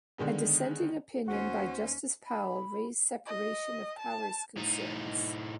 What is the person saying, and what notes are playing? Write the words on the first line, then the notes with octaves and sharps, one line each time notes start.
A dissenting opinion by Justice Powell raised separation of powers concerns.
D3 D#3 G#3 B3
D#2 C#4 F#4 C5
B5
D#5
A5
A2 D#4